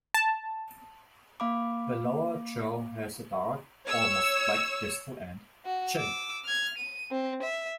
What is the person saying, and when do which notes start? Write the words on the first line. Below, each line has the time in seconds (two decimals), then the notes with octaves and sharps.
The lower jaw has a dark, almost black distal end, "chin".
0.14 A5
1.40 A#3 F5 B5 D6
3.86 C#5 E6
5.65 F#4
5.95 D6 E6
6.44 F6 G#6
6.77 D#7
7.11 C4
7.42 E5